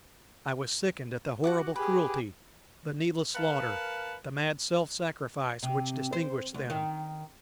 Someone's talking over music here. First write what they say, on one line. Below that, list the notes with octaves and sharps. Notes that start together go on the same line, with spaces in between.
I was sickened at the horrible cruelty, the needless slaughter, the mad self-sacrifice which distinguished them.
F#4 F#5 D6
G4 G#4 B4
A#4 B4 F5 F#5 A5
C3
C5
D2
D#3